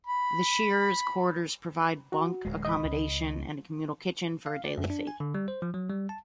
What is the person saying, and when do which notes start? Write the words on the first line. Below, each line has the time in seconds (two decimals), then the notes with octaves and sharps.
The shearers' quarters provide bunk accommodation, and a communal kitchen for a daily fee.
0.07 B5
2.12 F#4
2.45 D1 G#3
2.65 D#5 B5
2.85 C#2
4.46 F5
4.64 D5
4.78 F#2
4.90 D4
5.07 G#5
5.20 D3
5.34 G3
5.48 C5
5.62 F3
5.74 F#3
5.90 G3
6.09 A5